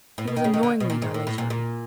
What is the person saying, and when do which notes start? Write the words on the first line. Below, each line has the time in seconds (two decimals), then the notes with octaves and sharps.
He was annoyingly dilatory.
0.18 A2
0.27 B2
0.36 D#3
0.44 C#3
0.54 D#3
0.63 D3
0.80 B2
0.90 A#2
1.02 G#2
1.14 A2
1.27 A2
1.38 A#2
1.50 A#2